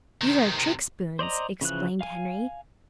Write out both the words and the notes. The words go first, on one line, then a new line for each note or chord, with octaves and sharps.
"These are trick spoons," explained Henry.
C3 D#3
C5 D5 D#5 A#5
C#3 E3 F3 F#6
F5 G#5